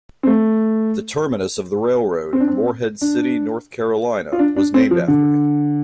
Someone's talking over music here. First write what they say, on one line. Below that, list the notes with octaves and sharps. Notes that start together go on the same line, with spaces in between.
The terminus of the railroad, Morehead City, North Carolina, was named after him.
C4
A3
C4
D4
C4
D4
F4
D4
D4
C4
F3
D3